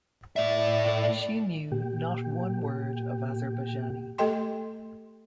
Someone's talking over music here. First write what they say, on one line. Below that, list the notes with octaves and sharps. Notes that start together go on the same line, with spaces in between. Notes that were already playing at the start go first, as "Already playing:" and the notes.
She knew not one word of Azerbaijani.
A2 D5 E5
A#2 G4
A3 G4 A4 D#5 G5 C6